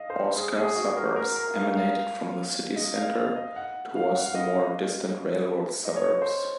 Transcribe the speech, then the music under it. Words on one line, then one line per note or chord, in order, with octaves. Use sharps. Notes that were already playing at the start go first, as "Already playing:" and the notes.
Horsecar suburbs emanated from the city center towards the more distant railroad suburbs.
Already playing: D#5 F5
C5
G#4
G#4
F#4
A#4
A#4
A#4
F5
F5
D#5
F5
D#5
F#5
F5
F#5
F5
D#5
D#5
C#5
C5